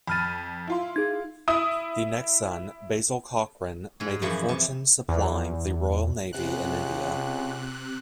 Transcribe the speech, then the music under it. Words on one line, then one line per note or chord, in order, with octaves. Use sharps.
The next son, Basil Cochrane, made a fortune supplying the Royal Navy in India.
F2 B5 F6 A6 D#7
E4 F4 C6
D#4 G#4 G#6
E4 D#6
G#2 G#4
F#2 E3 F3 F#5
C3
E2
C#2 C3 F#6